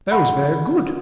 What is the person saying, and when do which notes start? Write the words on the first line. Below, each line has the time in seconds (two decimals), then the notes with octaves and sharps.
That was very good!
0.12 F#5 B5